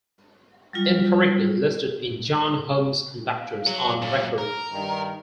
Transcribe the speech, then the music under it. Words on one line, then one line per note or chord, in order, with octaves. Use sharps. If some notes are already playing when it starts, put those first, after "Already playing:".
Incorrectly listed in John Holmes's Conductors on Record.
F#3 G3 F4
F5
F#3
A#2 F#3
A#4
G2 D#3